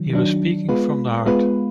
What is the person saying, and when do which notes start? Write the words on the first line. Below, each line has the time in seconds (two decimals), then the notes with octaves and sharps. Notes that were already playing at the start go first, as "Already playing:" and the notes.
He was speaking from the heart.
Already playing: D#3 F#3
0.10 D#3 F#3 D4
0.69 G#3 B3 F4 B4
1.26 G#3 B3 F4 B4